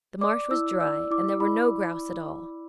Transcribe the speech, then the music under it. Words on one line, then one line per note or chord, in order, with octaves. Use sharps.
The marsh was dry and there were no grouse at all.
D5 D6
E4 E6
D5 E6
E4 D6
E4 B5